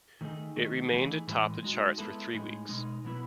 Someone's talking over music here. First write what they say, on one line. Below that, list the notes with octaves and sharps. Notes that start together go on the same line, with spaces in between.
It remained atop the charts for three weeks.
D#3 A3 D#4 G#4
D#3 A3 D#4
E3 A3 D#4 G#4
A2 E3 G#3
G#3 D#4 F#4
G#3 B3 E4 A4
A2 G#3 D#4 G#4
B2 G#3 D#4
B2 F#3 B3 E4 B4